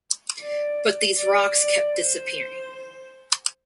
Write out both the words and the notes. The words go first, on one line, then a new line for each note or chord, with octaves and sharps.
But these rocks kept disappearing.
D5
D5
D5
C5